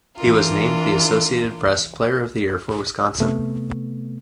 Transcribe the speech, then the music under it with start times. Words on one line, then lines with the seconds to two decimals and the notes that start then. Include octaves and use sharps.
He was named the Associated Press Player of the Year for Wisconsin.
0.17 E3 D4 F4 A#4
3.20 C3 A3 B3